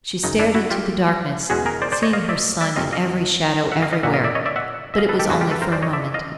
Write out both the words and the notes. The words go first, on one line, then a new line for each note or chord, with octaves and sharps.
She stared into the darkness, seeing her son in every shadow everywhere; but it was only for a moment.
F#2 C#3 F#3 D#4
D4 E4
E4 F#4
F4 G4
E2 B2 G#3 C#4 F#4 G#4
G#4 A#4
C5 D5
C5 D5
C#5 D#5
D#5 F5
D5 E5
D5 E5
F2 C3 F3 A#3 C#4 D#5 F5
D#5 F5
E5 F#5
D#5 F5
D#5 F5
A#2 F#3 A#3 E5 F#5
D#5 F5
D5 E5
C#5 D#5
D5 E5
E5 F#5
E5
D#5 F5
A4 B4
G4 A4
F2 C#3 F#3 A#3 F#4 G#4
F4 G4
A4 B4
A#4 C5
C5 D5
C#5 D#5
D5 E5
D#5 F5